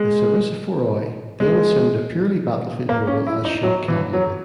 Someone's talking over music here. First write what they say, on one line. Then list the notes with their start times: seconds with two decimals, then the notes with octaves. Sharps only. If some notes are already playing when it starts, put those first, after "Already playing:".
The "sarissaphoroi" then assumed a purely battlefield role as shock cavalry.
Already playing: G#3
1.40 G#3
2.89 A#3
3.07 C#4
3.27 E4
3.45 D#4
3.63 F#3
3.88 E3
4.13 F#3